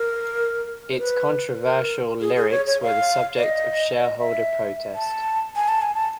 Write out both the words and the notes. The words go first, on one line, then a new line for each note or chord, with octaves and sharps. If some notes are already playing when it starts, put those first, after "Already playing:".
Its controversial lyrics were the subject of shareholder protest.
Already playing: A#4
C5
B4
A#4
G#4
G#4
C#5
C#5
F5
D5
D#5
D5
D#5
E5
A5
G#5
A5
G#5
A5